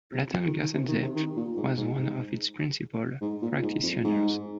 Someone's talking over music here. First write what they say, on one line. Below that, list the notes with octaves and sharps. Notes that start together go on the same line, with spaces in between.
Platon Kerzhentsev was one of its principal practitioners.
C3
F3
D#3
D#3
C3
D#3
C3
D#3
A#2
G#2
G#2
G#2
G#2
A#2
G#2
F2
G#2